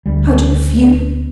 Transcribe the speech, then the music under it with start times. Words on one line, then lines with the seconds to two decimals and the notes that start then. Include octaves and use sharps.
How do you feel?
0.06 D2 G3